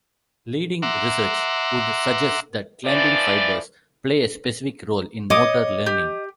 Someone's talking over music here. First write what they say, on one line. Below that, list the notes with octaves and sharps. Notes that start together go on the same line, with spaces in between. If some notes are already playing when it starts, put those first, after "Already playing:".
Leading research would suggest that climbing fibers play a specific role in motor learning.
E5 F#5 A#5 C6 D6
E3 F3 D5
C#5 D#5 D6 D#6
G4